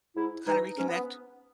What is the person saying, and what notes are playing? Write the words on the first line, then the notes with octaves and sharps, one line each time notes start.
kinda reconnect
G#2 E4
E3 D#4
G#2 C#4
B3